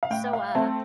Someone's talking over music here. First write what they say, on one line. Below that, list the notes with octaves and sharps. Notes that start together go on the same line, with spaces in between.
so, uh,
F5
A2 G5
F5
A3 C4 A4